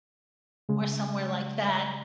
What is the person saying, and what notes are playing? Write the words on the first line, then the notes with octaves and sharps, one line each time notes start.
or somewhere like that,
C#3 G#3